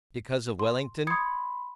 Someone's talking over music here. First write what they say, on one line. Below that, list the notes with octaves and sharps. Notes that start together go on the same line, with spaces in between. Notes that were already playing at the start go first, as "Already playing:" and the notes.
Because of Wellington?
C6
B5 C6 D#6 G#6 C#7